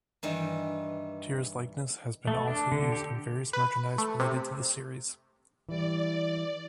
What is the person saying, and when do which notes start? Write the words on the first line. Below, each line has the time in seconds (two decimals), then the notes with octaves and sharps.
Tira's likeness has been also used on various merchandise related to the series.
0.23 G2 D#3 E3
2.27 A3
2.48 D4
2.72 D3
2.92 G4
3.53 B4
3.98 A3
4.20 C3
5.69 E3 G3 D5